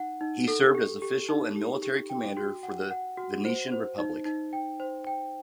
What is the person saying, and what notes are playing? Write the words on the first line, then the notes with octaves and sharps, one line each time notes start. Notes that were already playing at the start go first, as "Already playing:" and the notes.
He served as official and military commander for the Venetian Republic.
Already playing: D#4 F#5
D#4
A4
G4
G4
D#4
G4
G4
G5
F#4
F#5
F#5
F#4
C5
C5
D#4
D#4
G5
C5
G5